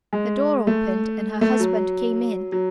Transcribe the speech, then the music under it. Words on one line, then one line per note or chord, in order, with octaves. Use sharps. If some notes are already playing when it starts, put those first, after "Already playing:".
The door opened and her husband came in.
G#3
A3
A3
F#3
F#3